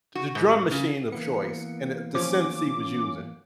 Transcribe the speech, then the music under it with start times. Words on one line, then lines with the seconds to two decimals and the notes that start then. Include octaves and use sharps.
the drum machine of choice and the the synths he was using.
0.15 F#4
0.35 G#2
0.72 C#3
1.12 E3 A#3 B3 C#7
2.15 F3 C#4 D6